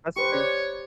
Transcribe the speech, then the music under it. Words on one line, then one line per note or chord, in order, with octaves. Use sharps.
That's true. Yeah.
G4 B4 C5 C#6
C#5 D5